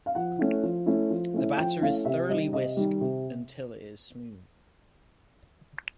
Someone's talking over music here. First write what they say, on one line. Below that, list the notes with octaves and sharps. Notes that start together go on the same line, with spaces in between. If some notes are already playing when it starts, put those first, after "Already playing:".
The batter is thoroughly whisk until it is smooth.
F5
F3 F#5
A3 C#4 E4
F3
A3 C#4 E4
F3
A3 C#4 E4
F3 G5
A3 C#4 E4 F5
C3 E5
D#3 G3 D#5
C3 D#5
D#3 G3
C3